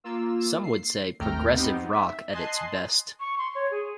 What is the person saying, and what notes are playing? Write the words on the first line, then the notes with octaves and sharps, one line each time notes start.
Some would say: "Progressive Rock at its best".
A#3 F4 E6
C7
G#1 D#2 A3 G5 A#5 F6
B3 C4 D#4 G4
E5
D#5 G#5 A5 C6 F#6 C7
C#6
C6
C#5
G#4